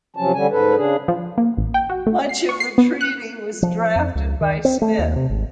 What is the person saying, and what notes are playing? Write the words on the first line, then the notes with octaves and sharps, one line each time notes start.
Much of the treaty was drafted by Smith.
C3 F3 F#3 C#4 A5
D3 G3 C#4 G#5
G#2 A4 B4
C#3 D4 G#4
F3
A#3
A1
G5
F#4
A3
C7
C#6
C7
B3
F#6
F3
F2
C#2
D#3
C4
A3
D#2
C3
G#1